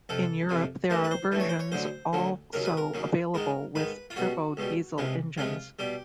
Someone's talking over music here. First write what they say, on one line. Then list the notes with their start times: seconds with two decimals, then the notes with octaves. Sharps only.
In Europe there are versions also available with turbo diesel engines.
0.09 F2 C3 F3 A4
0.49 F2 C3 F3
0.90 G2 E3 A3 A#4
1.04 B4
1.11 C5
1.31 G2 E3 A3
1.40 C#5
1.49 C5
1.59 C#5
1.72 D2 D3 F#3 C5
2.13 D2 D3 F#3
2.53 D#2 C#3 F#3 A#4
2.65 B4
2.77 A#4
2.94 D#2 C#3 F#3
3.34 G#2 D#3 G#3 A#4
3.75 G#2 D#3 G#3 B4
4.10 F4
4.16 C#2 B2 G3 F#4
4.57 C#2 B2 G3
4.98 C#2 C3 F3 G#3
5.38 C#2 C3 F3 G#3 F4
5.79 B2 G3 G4